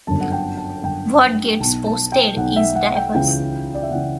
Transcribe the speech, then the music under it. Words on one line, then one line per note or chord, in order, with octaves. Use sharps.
What gets posted is diverse.
G1 F#2 D3 A5
F#5
G5
A5
G1 F#2 D3 G5
B1 B2 A5
A5
G5
B1 B2 F#5
E5
F#5
G5
C#2 C#3 E3 G5
D5
E5
C#2 C#3 E3 F#5